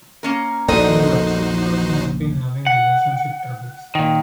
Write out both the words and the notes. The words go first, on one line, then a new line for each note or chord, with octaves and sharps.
He is upset because he has been having relationship troubles.
A#3 C#4 A#4
A#1 E2 D#4 F#4 A4 C5 D#5
F#5
A#2 D#3